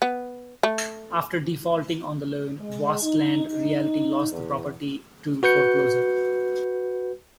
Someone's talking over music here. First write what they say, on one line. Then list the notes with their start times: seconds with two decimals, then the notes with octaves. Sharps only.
After defaulting on the loan, Vastland Realty lost the property to foreclosure.
0.02 B3
0.63 A3
2.60 G#3
3.02 D#4
3.45 D#4
4.31 E2
5.43 F#4 B4 G6 C#7